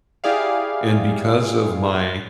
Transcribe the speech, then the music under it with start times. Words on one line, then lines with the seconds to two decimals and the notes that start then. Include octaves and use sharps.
and because of my
0.24 E4 G4 G#4 D5 F5